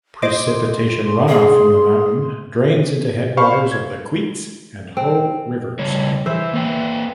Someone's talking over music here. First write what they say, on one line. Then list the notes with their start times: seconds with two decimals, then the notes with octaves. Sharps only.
Precipitation runoff from the mountain drains into headwaters of the Queets and Hoh Rivers.
0.22 C5 D#5 C6 D6
1.28 G#4
3.37 C5 F5 B5 C#6
3.72 G#6
4.97 C4
5.79 C#3 G3 C#5
6.26 E3 C5 E5
6.53 A#3 B4 G5